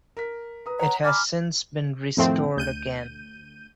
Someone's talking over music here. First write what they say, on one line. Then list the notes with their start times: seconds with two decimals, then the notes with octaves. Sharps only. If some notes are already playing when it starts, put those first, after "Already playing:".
It has since been restored again.
0.17 A#4 B6
0.66 B4 A#5 D#6
0.79 C#5 F#5 A#5
1.04 G#5 A#5 B5 D6 F6
2.17 F2 A2 D#3 F3 A3 C4
2.57 D2 G6 D#7